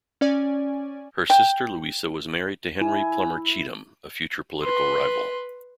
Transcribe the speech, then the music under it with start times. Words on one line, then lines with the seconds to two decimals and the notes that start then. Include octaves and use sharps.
Her sister Louisa was married to Henry Plummer Cheatham, a future political rival.
0.21 C#4 D5 G#5
1.30 G5
2.81 E4 G#5
4.63 B4 C6